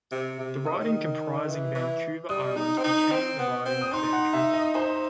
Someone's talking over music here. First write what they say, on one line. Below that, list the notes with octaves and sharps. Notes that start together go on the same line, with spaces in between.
The riding comprising Vancouver Island became the riding of Vancouver.
C3
C3
D#3 D#6
C3
D#3
E3
E3
G3 D#6
D#4
C4
D#4
C4
B3
C4
D#6
D#4 C6
F#5
E5
D#5
D#4 C5